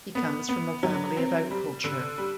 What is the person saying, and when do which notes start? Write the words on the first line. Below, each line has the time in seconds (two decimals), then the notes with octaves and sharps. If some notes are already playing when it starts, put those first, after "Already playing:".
He comes from a family of agriculture.
0.15 B3
0.49 B3
0.83 F#3
1.17 C4
1.51 G3
1.84 D3
2.18 G3